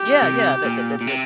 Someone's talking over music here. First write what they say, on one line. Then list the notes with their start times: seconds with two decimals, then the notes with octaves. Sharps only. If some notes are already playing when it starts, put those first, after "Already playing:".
Yeah, yeah, the the the the
Already playing: G4
0.22 C3
0.65 A#2
1.01 A#2
1.07 C3